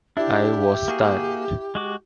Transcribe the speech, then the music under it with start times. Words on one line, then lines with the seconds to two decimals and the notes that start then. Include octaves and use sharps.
I was stunned.
0.17 D4 E4 G4
0.88 A#3 F#4 G#4
1.75 G#3 F#4 D6